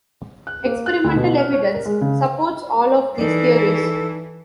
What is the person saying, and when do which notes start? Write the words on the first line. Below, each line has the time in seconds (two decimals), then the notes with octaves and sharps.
Experimental evidence supports all of these theories.
0.47 F#6
0.65 A#3
0.86 F#6
1.04 D2
1.16 B2
1.38 F6
1.53 C#5
1.74 A#4
1.85 G#3
2.01 C#3
3.18 E3 D#4 A4 D5